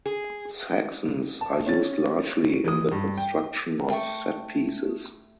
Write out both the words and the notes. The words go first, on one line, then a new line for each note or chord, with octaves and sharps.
Saxons are used largely in the construction of set pieces.
G#4
A5
C#4 A6
E3 D#6
G2
G5
A3 G5 C#6